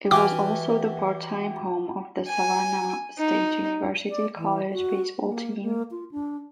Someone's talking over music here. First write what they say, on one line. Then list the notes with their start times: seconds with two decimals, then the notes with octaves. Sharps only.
It was also the part-time home of the Savannah State University college baseball team.
0.11 E3 F#4 G4 G5 G#5 D6 F6
2.28 G#5
3.18 D#4
4.10 D5
4.36 E3
4.70 F#4
5.21 A#3
5.62 A#3
5.91 F4
6.11 D4